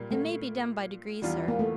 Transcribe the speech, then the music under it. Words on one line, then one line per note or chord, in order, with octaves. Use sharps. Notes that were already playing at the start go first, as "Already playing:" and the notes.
'It may be done by degrees, Sir.
Already playing: A#2 G3 A#3
A3
E2 E3 G3 D4 F4
A#3
A3